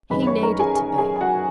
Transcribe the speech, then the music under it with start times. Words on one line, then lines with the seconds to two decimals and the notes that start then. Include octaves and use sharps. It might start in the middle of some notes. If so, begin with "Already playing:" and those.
He needed to be.
0.10 F#2 D#3 G#3 B4 B5
0.22 B5
0.27 C#5 C#6
0.43 A#4 A#5
0.59 G#4 G#5
0.76 G#4 G#5
0.98 G#4 G#5
1.16 G#5
1.21 F#4 F#5